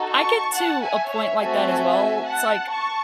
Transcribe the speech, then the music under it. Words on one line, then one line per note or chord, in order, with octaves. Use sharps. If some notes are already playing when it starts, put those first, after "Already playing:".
I get to a point like that, as well. It's, like,
Already playing: D#4 F#4 A4
A5 C#6
F#5 A5
E5 G#5
C#5 E5
A3 C4 F#4 A4 E5 G#5
F#5 A5
A5 C#6